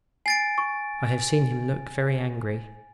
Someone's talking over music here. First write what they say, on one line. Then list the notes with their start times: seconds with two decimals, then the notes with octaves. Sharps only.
I have seen him look very angry.
0.26 G#5 A6 C7 D7
0.58 C#6